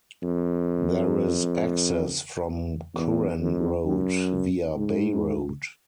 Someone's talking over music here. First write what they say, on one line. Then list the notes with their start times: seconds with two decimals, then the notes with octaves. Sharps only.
There is access from Curran Road via Bay Road.
0.23 F2
2.94 E2
3.40 F2
3.85 F#2
4.76 G#2